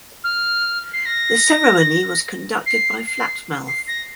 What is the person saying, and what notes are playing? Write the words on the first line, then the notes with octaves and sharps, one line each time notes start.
The ceremony was conducted by Flat Mouth.
F6
C7
A#6
C7
C7
C7
A#6